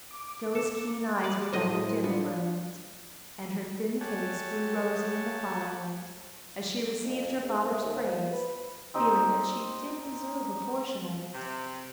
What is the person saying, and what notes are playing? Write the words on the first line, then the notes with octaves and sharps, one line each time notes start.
Jo's keen eyes were rather dim for a minute, and her thin face grew rosy in the firelight as she received her father's praise, feeling that she did deserve a portion of it.
D6
A4
D5
A2 F#3 E4 C5 D#5
B3 D4 F4
A3 G4 C#5 F#5 G#5 A5
F2
G#2
A3
D#2
F3
B4
C4 D#4 G4 D#5
C3